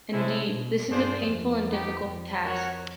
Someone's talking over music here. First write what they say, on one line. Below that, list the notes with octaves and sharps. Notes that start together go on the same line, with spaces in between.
Indeed, this is a painful and difficult task.
C3 G#3 C#4 E4 A4 C5
B2
G2 D4 F4 G#4 C5
F2
B3 D#4 G4
F2
F2 F#4 A#4 C#5 F#5